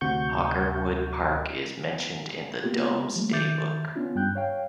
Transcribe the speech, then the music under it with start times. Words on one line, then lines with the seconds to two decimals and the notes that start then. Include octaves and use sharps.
Hockerwood Park is mentioned in the Domesday Book.
0.01 D2 C3 F#4 C#6 G6
2.64 A#3 B3 F4 G4
3.16 F3 G3 A3 A#3
3.32 D#3 E5 D6 G6 A6
3.96 B3 C#4 D4 F4
4.15 G2 G3 G5 F#6 G6
4.35 C#5 F5 G5